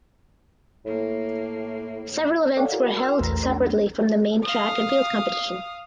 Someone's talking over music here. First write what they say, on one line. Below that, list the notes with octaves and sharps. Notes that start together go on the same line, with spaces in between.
Several events were held separately from the main track and field competition.
A2 A#3
A4 C#5 D5 F5 F#5
E4 F#4 G#4 A#4
C6 E6 F6
A#1 E2 A3 A#4 B4 A#5
B3 C#4 D4
F5 D#6